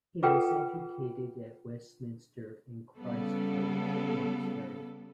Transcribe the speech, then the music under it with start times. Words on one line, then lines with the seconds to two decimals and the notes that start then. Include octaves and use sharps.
He was educated at Westminster and Christ Church, Oxford.
0.23 F4 G#4 A4 B4 F#5 G5
2.99 C#3 G3 B3 A4